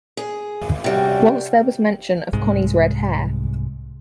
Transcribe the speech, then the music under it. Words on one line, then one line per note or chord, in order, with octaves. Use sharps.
Once there was mention of Connie’s red hair.
G#4
C3 G3 C#4 F#4 G5
C2 G#2 G#3